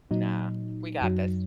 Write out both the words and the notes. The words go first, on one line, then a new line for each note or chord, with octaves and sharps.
Nah, we got this.
A#2 F#3 D#4
F#2 F#3